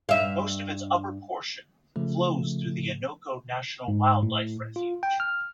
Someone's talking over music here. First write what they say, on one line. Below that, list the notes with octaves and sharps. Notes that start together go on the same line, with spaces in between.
Most of its upper portion flows through the Innoko National Wildlife Refuge.
G2 E5 F5
C#3 F3 A3
G#2
A2
F4
G5
F6